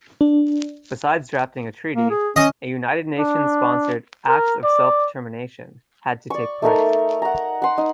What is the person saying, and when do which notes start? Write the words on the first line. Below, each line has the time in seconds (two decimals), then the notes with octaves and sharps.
Besides drafting a treaty, a United Nations-sponsored "act of self-determination" had to take place.
0.21 D4
1.96 A#3
2.10 G#4
2.36 C#4 D#5
3.19 D4
4.29 A#4
4.64 D5
6.30 D5 C#6
6.62 A3 D#4 A4 A#4
7.22 F#5 A#5
7.62 F#5 C6
7.78 D#4